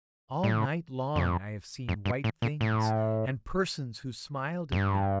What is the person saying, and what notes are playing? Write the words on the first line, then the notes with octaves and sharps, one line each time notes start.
All night long I have seen white things, and persons who smiled at me.
A2
F2
F2
G2
A2
A#2
A2
F2
G2